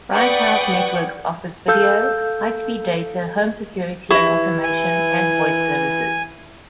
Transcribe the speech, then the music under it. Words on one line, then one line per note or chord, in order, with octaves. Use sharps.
Bright House Networks offers video, high-speed data, home security and automation and voice services.
B4 D5 F#5 G5 C#6 D#6
A4 F5 E6 G6
E3 E4 G4 E5
G#5